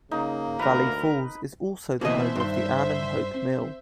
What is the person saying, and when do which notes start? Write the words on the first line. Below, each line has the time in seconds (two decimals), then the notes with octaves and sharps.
Valley Falls is also the home of the Ann and Hope Mill.
0.11 C#3 A#3 D#4
0.59 D2 A#4 B4
2.01 B2 E3 A#3 C4 C5 D#5 E5
2.36 G2 D#3 C6
3.34 C4